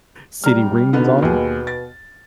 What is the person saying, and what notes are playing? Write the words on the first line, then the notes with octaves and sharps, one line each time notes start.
See any rings on him?
G3 A#5 F6
B2 D3 B3 D#4
D#2 G#4
A6